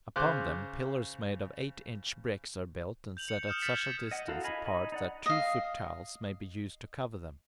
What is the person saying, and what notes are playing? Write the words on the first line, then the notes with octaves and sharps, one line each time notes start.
Upon them, pillars made of eight-inch bricks are built, and set at such a distance apart that two-foot tiles may be used to cover them.
C#3 C5 C6 D6 F#6
G6 F7 F#7
C#7
D#6 F6 G6 E7
F6 G6 A6 B6 C#7
G#6
D#5 F#5
E4 F#4 A4 A#4 F5
D#5 F5 G#5 B5
D#4 D#5 G#5 B5
D#4 D5 F#5
D#5 F5